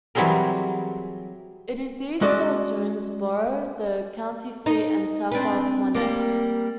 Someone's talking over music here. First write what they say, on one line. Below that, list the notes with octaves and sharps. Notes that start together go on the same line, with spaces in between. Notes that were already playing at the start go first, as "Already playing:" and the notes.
It is east of Jonesboro, the county seat, and south of Monette.
E3 F#3 G3 C4 G#4 A#4
G#3 C#4 F#4 A4 D5 D#5
D#4
C4 D4 B4
G3 A#3